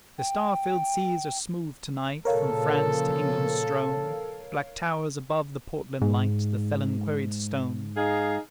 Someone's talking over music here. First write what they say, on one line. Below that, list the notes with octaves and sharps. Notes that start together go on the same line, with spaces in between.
The star-filled seas are smooth to-night From France to England strown; Black towers above the Portland light The felon-quarried stone.
G5
A#2 C#3 F3 A4 A#4 C#5 F5
G#2
D#4 G#4 F5